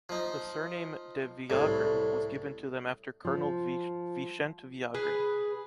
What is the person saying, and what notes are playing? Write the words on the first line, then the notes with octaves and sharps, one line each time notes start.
The surname ‘de Villagrán’ was given to them after colonel Vicente Villagrán.
F3 D#4
C2 A2
F3
G#4 B4